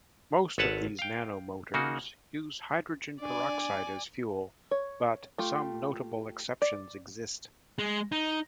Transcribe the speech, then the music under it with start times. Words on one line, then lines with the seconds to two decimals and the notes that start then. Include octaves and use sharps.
Most of these nanomotors use hygrogen peroxide as fuel, but some notable exceptions exist.
0.58 G#1 A4 B4 C#5 F#5 A5
0.99 F5 G5
1.74 C#3 A#3 D#4 F#4
3.21 D4 D5 G#5
4.71 C#5
5.38 A3 F4 G4
6.62 D5
7.79 G#3
8.12 D#4